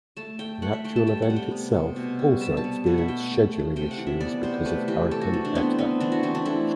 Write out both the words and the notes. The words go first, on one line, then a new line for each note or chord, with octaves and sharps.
The actual event itself also experienced scheduling issues because of Hurricane Eta.
A3 A5
A3 G5
A3 F#5
E5
A3 G5
A5
G3 G5
F#5
C3
G5
B3
C3
B2
G3
G3 A5
A5
B3
B2 F#5
E5
A3 G5
F#5
A3 G5
A3
C3 G5
F#5
E3
E5
B3 D5
C3 C5
A3 B4
E3 G4
A3 A4
F#4
E3
D4
B3 C4
B3 C4
E3 D4
F#4
E3 C4
D4
A3 E4